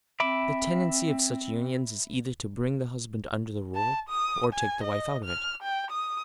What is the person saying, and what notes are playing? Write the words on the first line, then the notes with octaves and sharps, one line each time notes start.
The tendency of such unions is either to bring the husband under the Rule, or take the wife out of it.
C4 E5 B5 D6
A5
D#6
G#5
D#5
F6
G5
D#6